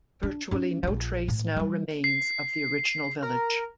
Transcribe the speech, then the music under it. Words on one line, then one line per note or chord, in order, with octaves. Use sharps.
Virtually no trace now remains of the original village.
D4
C#4 D#4
A#1 F4
A2
F3 G3
C7
A#4